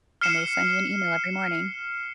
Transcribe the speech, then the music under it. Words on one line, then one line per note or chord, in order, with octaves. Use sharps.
and they send you an email every morning.
F6 C7 C#7 E7 G7